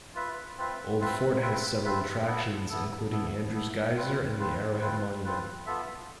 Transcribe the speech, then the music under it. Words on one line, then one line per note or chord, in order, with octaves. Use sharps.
Old Fort has several attractions, including Andrews Geyser and the Arrowhead Monument.
F4 B4 E5
C4 F4 B4 E5
C4 F4 B4 E5
C4 F4 B4 E5
C4 F4 B4 E5
B3 E4 A4
B3 E4 A4
B3 E4 A4
B3 E4 A4
C4 F4 B4
C4 F4 B4
C4 F4 B4
C4 F4 B4
B3 F4 A4 E5